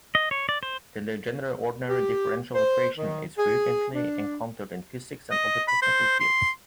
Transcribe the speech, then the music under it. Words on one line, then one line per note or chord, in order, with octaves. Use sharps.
The Legendre ordinary differential equation is frequently encountered in physics and other technical fields.
D#5
C#5
D5
C5
G4
C5
D#3
G#4
D4
D#5
B5
C5
C6